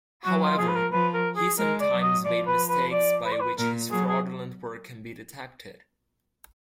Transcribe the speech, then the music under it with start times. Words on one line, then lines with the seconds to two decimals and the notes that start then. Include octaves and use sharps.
However, he sometimes made mistakes by which his fraudulent work can be detected.
0.24 F#3 F#4
0.42 F4
0.58 F3 G#4
0.68 B4
0.75 A#4
0.92 F3 B4
1.14 A#4
1.36 G#4
1.58 G#3 A#4
1.80 D5
1.91 F#3
2.02 D#5
2.24 F3 D5
2.47 B4
2.69 B4
2.92 D5
3.25 B4
3.32 D5
3.40 B4
3.58 A#2 A#4
3.91 F#3 G#4
4.08 G#4